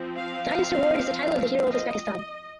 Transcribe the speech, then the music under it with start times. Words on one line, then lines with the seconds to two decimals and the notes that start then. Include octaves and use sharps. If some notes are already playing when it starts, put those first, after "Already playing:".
The highest award is the title of the Hero of Uzbekistan.
Already playing: F3 C4
0.17 F5
1.68 D#5